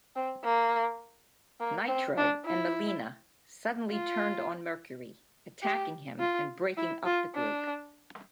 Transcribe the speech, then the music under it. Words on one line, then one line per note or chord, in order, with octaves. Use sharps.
Nitro and Melina suddenly turned on Mercury, attacking him and breaking up the group.
C4
A#3
A#3
C4
D4
E4
F4
G4
F4
E4
F4
D4